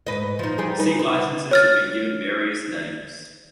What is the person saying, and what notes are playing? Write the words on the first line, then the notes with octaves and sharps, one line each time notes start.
Seat licenses have been given various names.
G#2 B4 D#5
F3 D#4
G3 D#4 G#4
D#4 B4
B4
C#5 F6 A6